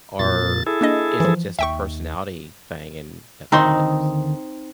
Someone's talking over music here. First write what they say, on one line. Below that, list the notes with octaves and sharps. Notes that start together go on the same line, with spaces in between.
or is it just a personality thing and that's all it is?
F2 A#2 A6
E4 G#4 A4
A#3 D4 D#5
E3 F3
D#2 E5 G5 C#6
D2 D#3 C4 D#4 C6